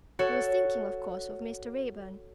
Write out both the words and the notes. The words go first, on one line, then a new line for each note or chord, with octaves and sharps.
She was thinking, of course, of Mr. Raeburn.
F#4 A4 C#5